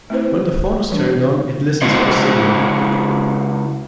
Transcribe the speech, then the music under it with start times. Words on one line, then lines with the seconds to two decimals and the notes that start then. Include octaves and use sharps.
When the phone is turned on, it listens for a signal.
0.10 A3 C4 E4 B4 C5
0.91 E3 G3 D4
1.82 C#3 G#3 E4 F#4 C5 D#5